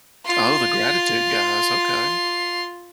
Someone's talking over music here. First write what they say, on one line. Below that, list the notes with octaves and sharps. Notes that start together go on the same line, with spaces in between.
Oh, the gratitude guys. Okay.
F4 C6